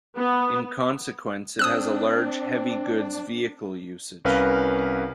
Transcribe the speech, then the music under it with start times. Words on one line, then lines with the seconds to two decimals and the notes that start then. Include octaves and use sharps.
In consequence it has a large Heavy Goods Vehicle usage.
0.16 B3
1.59 C4 D4 D#6 E6 F#6
4.25 C2 C#4 A#4 B4 F5 F6